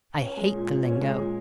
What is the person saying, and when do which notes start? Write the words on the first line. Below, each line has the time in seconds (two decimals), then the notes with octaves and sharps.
'I hate the lingo.
0.21 C#4
0.37 G#3
0.54 A#2
0.68 A#2
0.85 C#4
1.01 G#3
1.17 A#2